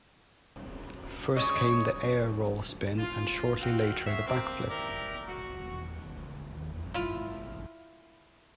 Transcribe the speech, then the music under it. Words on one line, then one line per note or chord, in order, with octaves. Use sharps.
First came the Air Roll Spin and shortly later the Blackflip.
C#3 G#3 C#5 D#5
F4
D#3 C4 F4 F#4 F5
F#4 G#4 C#5 E5
A#3 C4
D#4 E4 G4 A#4 D5
F#4
E4 F4